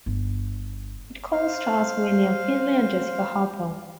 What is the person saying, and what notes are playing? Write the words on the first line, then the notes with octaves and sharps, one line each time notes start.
It co-stars William Finley and Jessica Harper.
G1
C5 F5